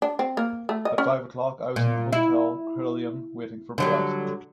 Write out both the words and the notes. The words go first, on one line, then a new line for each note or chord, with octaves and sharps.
At five o'clock I was in the Hotel Crillon waiting for Brett.
D4
C4
A#3
A3
D#5
C#4
A#2
E4
D3 F#3 G3